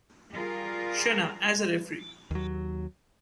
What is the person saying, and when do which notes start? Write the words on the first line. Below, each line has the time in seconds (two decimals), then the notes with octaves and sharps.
Shena as a referee.
0.33 G3 F4 G#4 A#4
2.31 D#2 F#3